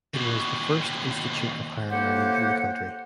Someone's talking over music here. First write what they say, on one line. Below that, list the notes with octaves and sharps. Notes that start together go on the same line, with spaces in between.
It was the first institute of higher learning in the country.
D#2 B2
A2 A#3 G4 C5 F#5